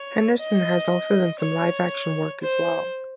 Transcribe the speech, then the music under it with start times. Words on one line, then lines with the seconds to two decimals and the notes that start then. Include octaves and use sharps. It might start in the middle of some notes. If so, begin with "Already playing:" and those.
Henderson has also done some live-action work as well.
Already playing: C#5
0.38 D#5
1.40 C#5
2.42 C5